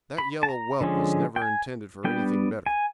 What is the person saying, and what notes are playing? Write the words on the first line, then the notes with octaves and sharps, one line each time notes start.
That yellow whelp was never intended for anything better.
B5
A5
A#5
D3 F3 G#3 C#4
G5
G#5
G3 B3 D4 G5
G#5